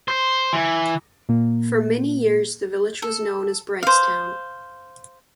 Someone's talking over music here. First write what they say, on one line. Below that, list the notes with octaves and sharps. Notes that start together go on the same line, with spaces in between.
For many years, the village was known as "Brightstown".
C5
E3
A#2 A#3
A4
C5 F5